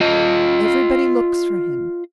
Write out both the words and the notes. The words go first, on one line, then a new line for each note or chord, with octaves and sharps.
Everybody looks for him.
F4 D#5